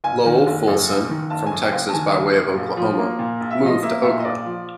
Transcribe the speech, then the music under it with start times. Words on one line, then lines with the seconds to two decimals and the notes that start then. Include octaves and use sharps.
Lowell Fulson, from Texas by way of Oklahoma, moved to Oakland.
0.04 F#1 G#5
0.25 D#3
0.46 F#1
0.67 F#2
0.89 F#1
1.09 D#3
1.30 F#1 A5
1.46 G#5
1.52 F#2
1.62 G5
1.72 F#1
1.89 A5
1.93 D#3 G#5
2.15 F#1
2.35 F#2
2.56 A#1
2.77 F3
2.99 A#3
3.19 A#2
3.40 A#1
3.51 E5
3.61 F3 D#5
3.83 A#3 E5
4.03 A#2 E5
4.20 D#5
4.25 A#1 D5
4.45 F3